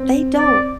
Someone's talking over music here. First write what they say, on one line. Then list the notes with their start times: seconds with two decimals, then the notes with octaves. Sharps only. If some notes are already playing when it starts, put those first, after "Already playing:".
They don't.
Already playing: C4
0.38 D5